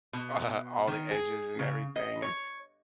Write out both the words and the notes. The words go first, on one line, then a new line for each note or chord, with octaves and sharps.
uh, all the edges and everything, and
B2
D#3
G#4
C#3
D#5
C#5